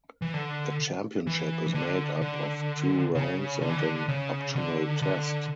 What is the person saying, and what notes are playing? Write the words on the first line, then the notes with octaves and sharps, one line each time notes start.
The championship is made up of two rounds and an optional test.
E3
D3
E3
E3
D3
D3
C#3
D3
E3
D3
C#3
D3
D3